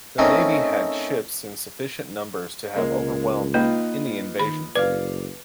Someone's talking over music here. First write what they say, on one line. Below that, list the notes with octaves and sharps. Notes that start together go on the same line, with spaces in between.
The navy had ships in sufficient numbers to have overwhelmed any invasion fleet.
A3 C4 C#4 D#4 A#4 D#5
C#2 G#3 A#3
A#3 D#4 F4 B4
D#3 B5
F#1 B4 D5 F5